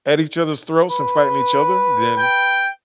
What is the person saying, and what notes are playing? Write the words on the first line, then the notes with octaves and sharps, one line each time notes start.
at each other's throats and fighting each other, then,
B4
G5